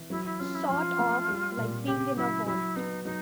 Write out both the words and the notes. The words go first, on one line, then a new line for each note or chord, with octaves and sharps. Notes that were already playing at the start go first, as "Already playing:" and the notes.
Sort of like being in a vault.
Already playing: E3
F#3 E4
E4
C#4 F4
E4
F3 F4
A3
G3
A#2
C#3 G4
F#3 E4
F#3 E4
B3 D#4
F#3 D#4